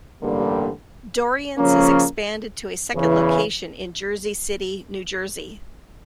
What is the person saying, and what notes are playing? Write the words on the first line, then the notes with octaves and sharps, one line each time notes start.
Dorrian's has expanded to a second location in Jersey City, New Jersey.
A1 G2 D3 G3 A#3
C#3 F3 A#3 C#4
E2 C#3 E3